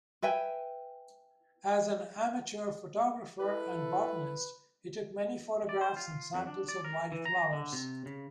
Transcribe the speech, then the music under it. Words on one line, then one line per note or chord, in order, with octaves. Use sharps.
As an amateur photographer and botanist he took many photographs and samples of wildflowers.
B4 E5 G5 G#5
E4 A4 B4
D5
C5
F4
F2
D4
D5
A#4
E3
A#5
D3
C3
C#3